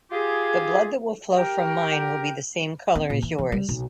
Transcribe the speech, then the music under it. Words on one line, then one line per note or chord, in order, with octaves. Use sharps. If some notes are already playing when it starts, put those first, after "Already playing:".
The blood that will flow from mine will be the same color as yours.
F4 G4 G#4
G4 A#4 G5
C4
A#2
E3
F3
G3
B1